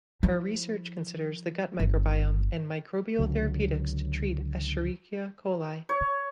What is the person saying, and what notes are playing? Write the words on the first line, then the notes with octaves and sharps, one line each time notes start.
Her research considers the gut microbiome and microbial therapeutics to treat Escherichia coli.
F3 E4
G1
C#2 D3 F#3
C#5